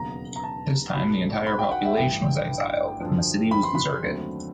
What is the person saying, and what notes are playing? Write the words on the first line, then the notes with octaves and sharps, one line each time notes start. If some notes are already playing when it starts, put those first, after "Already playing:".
This time the entire population was exiled, and the city was deserted.
Already playing: E1 D#2 C#3 F#3 B3 A#5
A#5
A5
B1 B2 G3 B5
B5
G5
F#5
E5
A1 G2 D3 G3 G5
F#2 D3 F3
B5
C6
B5
D#2 D3 F#3 A3 C4